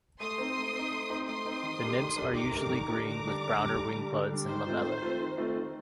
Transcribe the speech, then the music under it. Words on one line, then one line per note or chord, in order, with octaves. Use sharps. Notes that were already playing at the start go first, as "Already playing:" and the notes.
The nymphs are usually green with browner wing buds and lamellae.
A3 C6 D#6
C4 D#4
A3
C4
D#4
A3
C4 D#4
A3 C6 D#6
C4 D#4
D#3
A3 D4 G4 A#4
D#3
A3 D4 G4 A#4
D#3 A#5 D6
A3 D4 G4 A#4
D#3
A3 D4 G4 A#4
D3 A#5 D6
G3 D4
D3
G3 D4
D3
G3 D4
D3
G3 D4
D#3 C5
A3 C4 F4
D#3
A3 C4 F4
D#3
A3 C4 F4
D#3